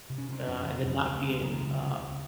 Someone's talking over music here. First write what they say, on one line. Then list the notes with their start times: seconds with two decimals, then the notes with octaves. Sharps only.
uh, and then not being, uh
0.10 C3
0.18 C#4
0.29 C3 C4
0.47 F2 C#4
0.67 C3
0.75 C4
0.85 F2
1.04 C#2 G#3
1.18 A#3
1.24 C#2
1.29 G#3
1.41 C#2 A#3
1.56 G#3
1.61 C#2
1.81 C3
1.98 C#2